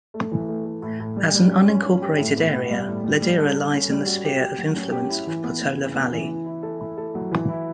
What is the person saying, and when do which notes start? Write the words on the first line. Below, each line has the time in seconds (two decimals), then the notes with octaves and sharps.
As an unincorporated area, Ladera lies in the sphere of influence of Portola Valley.
0.14 A3
0.31 E3
0.49 A3
0.65 A3
0.82 A2
1.00 A2
1.16 G3
1.34 G3
1.51 C#4
1.68 C#4
1.85 C#4
2.02 G4
2.18 A2
2.37 B3
2.53 B3
2.70 G3
2.88 A2
3.04 G3
3.22 G3
3.38 A4
3.56 A4
3.72 C#4
3.89 G3
4.06 F#4
4.25 G4
4.40 G4
4.58 F#3
4.76 C#4
4.92 G4
5.09 E4
5.27 E3
5.44 B3
5.61 B3
5.77 C#3
5.94 B3
6.12 E3
6.29 E4
6.46 E4
6.63 A4
6.80 E4
6.97 A4
7.15 F#3
7.32 E3
7.48 E4